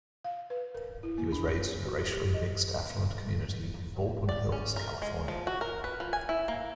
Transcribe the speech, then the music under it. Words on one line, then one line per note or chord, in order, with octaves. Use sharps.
He was raised in a racially mixed affluent community in Baldwin Hills, California.
F5
B4
A#4
E4
A#3
D4
F#4
G4
D#5
D5
C#4
A#4
G#3
F3
F#4
A#4
B4
F3
G#5
E4
A#3